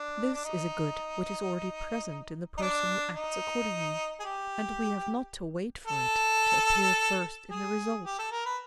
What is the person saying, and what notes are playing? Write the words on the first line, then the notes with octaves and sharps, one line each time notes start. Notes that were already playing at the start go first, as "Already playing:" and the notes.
This is a good which is already present in the person who acts accordingly, and we have not to wait for it to appear first in the result.
Already playing: D4
D4
D#4
D#4
D4
D#4
G#4
G4
A4
G#4
G4
A4
A#4
B4